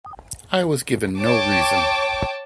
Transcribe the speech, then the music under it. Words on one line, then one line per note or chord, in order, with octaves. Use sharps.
I was given no reason.
C#5 G5 A5 D6